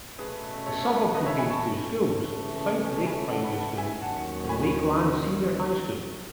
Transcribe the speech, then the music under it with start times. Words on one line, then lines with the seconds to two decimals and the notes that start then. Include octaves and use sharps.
The suburb contains two schools: South Lake Primary School and Lakeland Senior High School.
0.19 B2 A3 C#4 G#4 B4
0.66 A4 C#5
1.14 B4 D#5
1.26 C#5 E5
1.38 G#5 B5
1.50 A5 C#6
2.10 C#3 E3 A3 C#4
2.58 A5 C#6
2.85 G#5
2.95 A5
3.06 G#5 B5
3.30 F#5 A5
3.44 B5
3.53 F#5 A5
3.77 E5 G#5
4.01 D#2 D#3 F#3 C#4 F#5 A5
4.49 G#5 B5